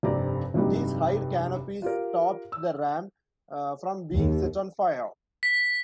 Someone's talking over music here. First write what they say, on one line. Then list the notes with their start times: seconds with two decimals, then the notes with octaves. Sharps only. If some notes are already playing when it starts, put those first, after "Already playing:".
These hide canopies stopped the ram from being set on fire.
0.03 F1 G2 C4 G4 D5 A#5
0.54 F1 G2 C3 F#3 G3 D#4
1.82 F4 G4 A#4
2.52 E6
4.15 D#2
5.43 B6